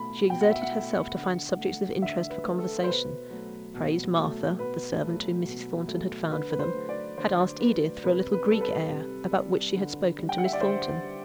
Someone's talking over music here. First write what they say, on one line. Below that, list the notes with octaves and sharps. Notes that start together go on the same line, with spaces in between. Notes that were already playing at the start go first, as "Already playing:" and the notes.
She exerted herself to find subjects of interest for conversation; praised Martha, the servant whom Mrs. Thornton had found for them; had asked Edith for a little Greek air, about which she had spoken to Miss Thornton.
Already playing: B2 A3 B5
B2 G5
F#5
E5
F#5
A3
D3
A3
D3 E5
B4
A3
A4
C5
B2 B4
F#3 A3
B2
F#3 A3
B2 B4
F#3 A3
B2
F#3 A3
D3 B4
B4
C5
F#3 A3
D5
D3 C5
F#3 A3 B4
C3 B4
B4
G3
A4
B4
C3
G3
D3
G3
G5
F#5
E5
D5
D3 C5
G3